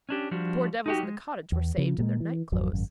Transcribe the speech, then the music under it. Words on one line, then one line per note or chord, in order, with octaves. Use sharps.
The poor devils in the cottage were saved in their night clothes.
C#4 D4 G4
F3 G3 D4 F#4
D#4 F#4 G4
G#3
E2
C#3 F3
A#2 G3 G#3
E3
G#1 F2 F#3
G#1 F#2